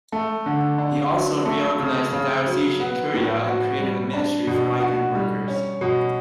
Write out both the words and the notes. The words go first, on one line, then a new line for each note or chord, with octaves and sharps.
He also reorganized the diocesan curia and created a ministry for migrant workers.
A3
D3
D4
F#3
A3
C#3
C#3
F#3
B3
A2
F#4
G3
D4
B2
F#4
G3
C#4
B2